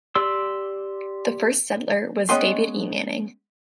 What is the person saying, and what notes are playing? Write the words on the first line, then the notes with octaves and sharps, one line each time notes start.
The first settler was David E. Manning.
G4 D5 C6 E6
G#3 B3 C#4 D#5 G5 C6